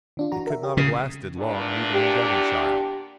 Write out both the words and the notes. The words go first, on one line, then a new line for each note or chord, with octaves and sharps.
It could not have lasted long even in Devonshire.
D#3 D4 F4
E3 F#4 A#5
A#4 E5
G4
C#3
E2 A#2 D4
G4